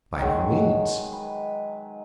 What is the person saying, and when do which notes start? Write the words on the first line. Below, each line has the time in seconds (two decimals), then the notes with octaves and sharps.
"By no means."
0.19 D#3 F#3 G#3 F#5
1.12 B4